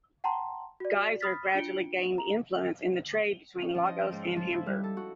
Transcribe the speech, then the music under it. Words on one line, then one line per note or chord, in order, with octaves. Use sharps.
Gaiser gradually gained influence in the trade between Lagos and Hamburg.
F#5 G5 A5 A#5 C6
F#4 D5
B5 D#6 F6 A6 B6
D4 F4 C#7 D7 G7
A#5
C#4
F3
D#5
G5
G#2
F3
E4
G3
A4
F#4